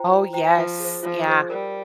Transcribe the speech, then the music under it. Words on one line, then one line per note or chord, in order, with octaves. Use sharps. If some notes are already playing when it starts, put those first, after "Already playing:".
Oh, yes, yeah.
Already playing: F4 C5 G5 A#5
F4
C5 G5 A#5
F3 F4
G#4 C5
F3 F4
G#4 C5
G3 A#4